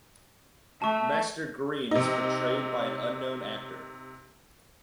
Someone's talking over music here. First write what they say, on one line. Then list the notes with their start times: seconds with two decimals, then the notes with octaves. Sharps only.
Master Green is portrayed by an unknown actor.
0.82 A3 A5 C#6
1.91 C3 D#4